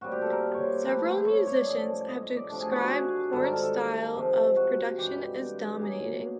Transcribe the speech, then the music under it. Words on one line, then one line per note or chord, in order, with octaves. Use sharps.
Several musicians have described Horn's style of production as dominating.
A#2 G3 C4 F4 F#4
G4
A4
A#4
C#5
C5
F3 A3 C4 E4 B4
C5
C#5
D5
C#5
D5
A2 F3 A3 C#4 D#5
D#5
D#5
D5
C3 F3 A3 D4
G#4
F#4
F#4
G#4
G#2 D#3 G3 C4 A4
A#4
A4
A4
C3 F3 G#3
F#4
G2 E3 G#3 G4
B2 F#3 A#3 G#4